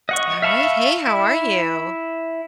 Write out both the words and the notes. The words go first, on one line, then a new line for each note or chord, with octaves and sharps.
All right. Hey, how are you?
D#5 F#5 C#6
E5 F5 A5 B5 C#6
E4